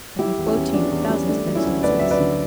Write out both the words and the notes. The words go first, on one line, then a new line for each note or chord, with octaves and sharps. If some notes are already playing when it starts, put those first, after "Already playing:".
I can quote to you thousands of instances....
G3 E4 G4
E2
C#4 E4
E2
E2 D4
E2
C#4
G3
A3 D4
F#3
C#4 E4
D2
D2 B4 D5
F#3 E5
B4 D5
D3